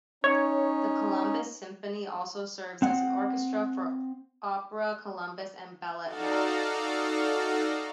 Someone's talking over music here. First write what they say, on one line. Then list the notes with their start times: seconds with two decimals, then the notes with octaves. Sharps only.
The Columbus Symphony also serves as the orchestra for Opera Columbus and Ballet Met.
0.24 C#4 D#4 C#5
2.82 C4 F#5
6.04 D#4 F#4 A4 D5 F5 A#5